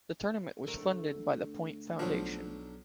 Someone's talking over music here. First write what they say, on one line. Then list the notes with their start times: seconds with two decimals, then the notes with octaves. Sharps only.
The Tournament was funded by The Point Foundation.
0.66 D2 A3 A#4
1.99 B1 F3 F#3 D4